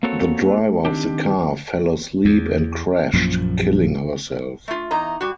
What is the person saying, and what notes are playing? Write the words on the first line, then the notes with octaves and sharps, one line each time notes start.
The driver of the car fell asleep and crashed, killing herself.
A#3 C4 F#4 A4 C#5
D#3 C4 D4 G4
E2
A#1 F#2 A#2 F3
A3 F4
E2 D#4 A#5
G3 F#4